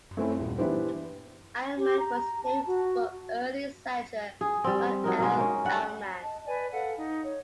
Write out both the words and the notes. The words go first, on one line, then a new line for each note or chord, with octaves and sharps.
Alleman was named for early settler John L. Alleman.
A3 C4 C#4 E4
D#1
E3 B3 D4 E4 G4 C5
G4
A#5
A5
F#4
G#4
G3 C4
F#3 D#4 A#4
B2 G#3
A#3 C#4
G3 F#5
D#5 A5
B4 D5 G#5
A4 F5 F#5
D#4
C#5